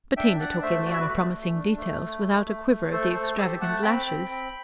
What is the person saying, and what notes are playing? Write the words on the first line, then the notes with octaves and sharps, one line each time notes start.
Bettina took in the unpromising details without a quiver of the extravagant lashes.
D4 E5 G5
D4 D5 F#5
A3 C5 E5
F#4 D5
E5
B4 D5
A3
A3
D4
A3
A3
A3
A3
A3
A3 A4 C5
A3 A4 C5
G4 A4 C5
A3 F#5 A5
C4 G5 B5
C4
C4